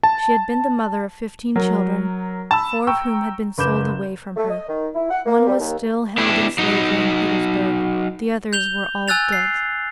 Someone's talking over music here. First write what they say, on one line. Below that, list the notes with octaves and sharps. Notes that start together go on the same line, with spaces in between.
She had been the mother of fifteen children, four of whom had been sold away from her; one was still held in slavery in Petersburg; the others were all dead.
A5
F#3 A#4
A5 B5 E6
G5 A#5 C#6 E6
F#1 B4 D6 G6 E7
A3
D#5
D#3
E4
F#5
A#3
G3
D#2
B3 D4 E4 G4
F#3 D#4
G6 F7 G7
G#5 E6 F#6 A6 F7
C7